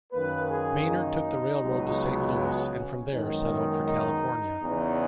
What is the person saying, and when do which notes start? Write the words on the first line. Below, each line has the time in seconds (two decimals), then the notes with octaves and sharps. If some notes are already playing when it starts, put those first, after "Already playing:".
Maynard took the railroad to Saint Louis, and from there set out for California.
0.12 F#2 D#3 A#3 B4
0.50 G#4
0.87 D#4
1.62 C#2 C#3 F#3 B3
2.37 C#4
3.12 F#2 D#3 G#3 B3 D#4
3.87 D#4
4.62 E2 C#3 E3